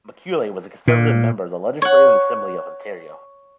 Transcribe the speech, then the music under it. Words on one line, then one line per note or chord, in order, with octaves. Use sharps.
Macaulay was a Conservative member of the Legislative Assembly of Ontario.
A#2
C#5 F#5